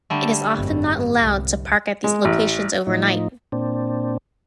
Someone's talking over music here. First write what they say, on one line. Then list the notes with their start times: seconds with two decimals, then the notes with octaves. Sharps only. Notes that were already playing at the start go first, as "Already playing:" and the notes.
It is often not allowed to park at these locations overnight.
0.10 D3 G3 A3
0.56 G#1 F#2
1.20 C2
2.04 G#3
2.25 A1
2.87 A2 F3 D#4
3.52 A#2 C4 D4